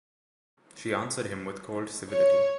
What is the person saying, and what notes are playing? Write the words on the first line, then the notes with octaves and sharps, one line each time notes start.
She answered him with cold civility.
C#5